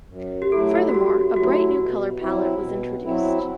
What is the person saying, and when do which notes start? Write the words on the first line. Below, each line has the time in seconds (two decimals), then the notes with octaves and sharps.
Furthermore, a bright new colour palette was introduced.
0.10 F#2
0.42 G4
0.52 F#3 A3 E4 A4
0.89 F#4
0.94 F#2 G4
1.36 F#3 A3 E4 F#4
1.79 B2
2.21 F#3 C4 E4
2.63 B2
3.05 F#3 C4 E4